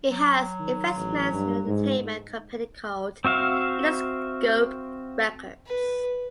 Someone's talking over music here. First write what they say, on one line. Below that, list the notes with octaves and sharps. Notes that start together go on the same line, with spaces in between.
He has investments in an entertainment company called Interscope Records.
F#3
D#3
A1
G2
G#2
C4 F#4 E5 F5
B4